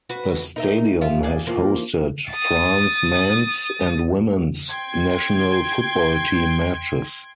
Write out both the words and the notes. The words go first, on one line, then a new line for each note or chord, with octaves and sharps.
The stadium has hosted France men's and women's national football team matches.
F#4 B4
D#4 A#4 E5
F4 E5
G#4 D5
E3 F3 A#3
D#6 A6
G5 C6 G#6